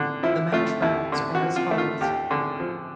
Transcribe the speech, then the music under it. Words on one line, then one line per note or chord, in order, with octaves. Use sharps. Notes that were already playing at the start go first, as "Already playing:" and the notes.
The match rounds are as follows.
Already playing: D3
F3 E4
A3 F4
D#2 E4
D3
F#4
F3
F4
A3
F4
D#2 G4
D3 G#4
F3